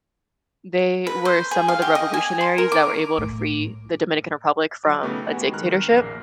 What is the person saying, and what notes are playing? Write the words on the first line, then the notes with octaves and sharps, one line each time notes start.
they were some of the revolutionaries that were able to free the Dominican Republic from a dictatorship,
B4
C5
G#4
F5
G4
D#5
G#5
C6
A#4
D6
A2
F#3 F#4 D6
C#3 A3 B3 D#4 G4
B3 F#4 G4 G#5 B5
G#3
D#3 A#5 F6 F#6
A#1 F#2 A#3 A#4 C7